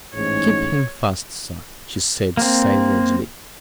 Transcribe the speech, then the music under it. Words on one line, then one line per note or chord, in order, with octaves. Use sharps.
"Keep him fast, sir," she said savagely.
A1 G#2 C#5
A#3 C4